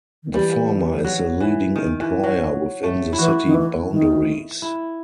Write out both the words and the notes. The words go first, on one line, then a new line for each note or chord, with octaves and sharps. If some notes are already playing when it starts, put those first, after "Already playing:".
The former is the leading employer within the city boundaries.
D#3
E3 G3
F#3
E3
D#3
E3
F#3
A3
E4
E3 F#4
D#3
E3
D#3
E4